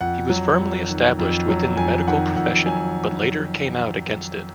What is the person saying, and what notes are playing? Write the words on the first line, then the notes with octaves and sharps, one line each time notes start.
He was firmly established within the medical profession but later came out against it.
F2 F#5
F#3
F2
D#3
F2
F#3
F2 G#5
D#3 F#5
F2 F#5
F#3 G#5